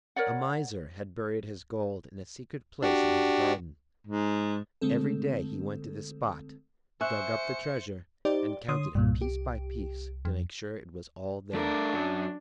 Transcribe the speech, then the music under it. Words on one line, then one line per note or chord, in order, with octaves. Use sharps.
A Miser had buried his gold in a secret place in his garden. Every day he went to the spot, dug up the treasure and counted it piece by piece to make sure it was all there.
A#4 C#5 D5 F#5
D4 F#4 G4
G#2
D3 G#3 A3 C4 A4
C5 E5 G#5 C#6 F#6 C#7
D#4 G4 C5 D5
D3 C#5 C6 D#6
C2 G2 A#2
G4
F2
A3 D4 A#4
F#2 F#3